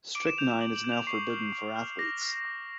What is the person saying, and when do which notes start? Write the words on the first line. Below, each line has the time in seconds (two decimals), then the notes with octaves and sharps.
Strychnine is now forbidden for athletes.
0.15 D6 D7
0.27 E7
0.38 G6 F7
0.50 E7
0.61 D6 F#7
0.76 F#7
0.84 G6
0.92 F7
1.07 C#6 C7
1.30 F6
1.53 C#6
1.76 F6
1.99 D6 A#6
2.22 F6
2.45 D6